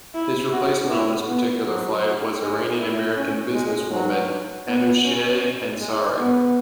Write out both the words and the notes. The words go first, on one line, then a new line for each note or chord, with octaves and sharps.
His replacement on this particular flight was Iranian-American businesswoman Anousheh Ansari.
E4
F#4
E4
B3
F#3
G#3
E4
C#4
G#3
F#3
B3
C#4
G#3
B3